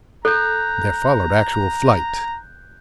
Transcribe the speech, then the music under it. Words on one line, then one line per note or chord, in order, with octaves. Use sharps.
There followed actual flight.
A4 A#5 F#6 G6